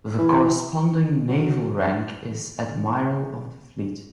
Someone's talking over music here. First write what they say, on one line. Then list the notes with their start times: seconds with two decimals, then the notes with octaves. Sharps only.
The corresponding naval rank is admiral of the fleet.
0.18 E3
1.29 F#3